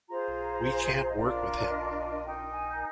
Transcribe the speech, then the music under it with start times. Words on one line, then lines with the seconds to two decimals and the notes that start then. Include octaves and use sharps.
We can't work with him.
0.08 F4 G#4 C5 A#5
1.09 D#5
1.16 D4 F4 A#4 D5
1.30 D5
1.57 D5
1.70 D#5
1.84 D#5
1.92 D5
1.97 D#5
2.10 D#5
2.24 D#4 A#4 G5
2.52 G#5